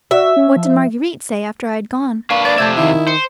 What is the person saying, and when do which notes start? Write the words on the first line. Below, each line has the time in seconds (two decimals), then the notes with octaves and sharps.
"What did Marguerite say after I had gone?"
0.11 F#4 E5
0.37 C#4
0.56 F3
2.30 A#3 D4 B4 F5 C#6
2.45 D5
2.58 F2 C3 A3 E5 A5 G6 G#6
2.77 D#3 E4
3.07 C5 C#7